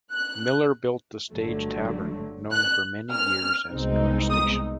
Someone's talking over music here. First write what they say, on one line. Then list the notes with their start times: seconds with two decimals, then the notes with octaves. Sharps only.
Miller built the Stage Tavern, known for many years as "Miller Station".
0.13 F#6
1.32 G1 G2 D3 F#3 A3
2.52 F#6
3.11 F6
3.70 C2 B2 G#3 C4 D#4
4.30 D#6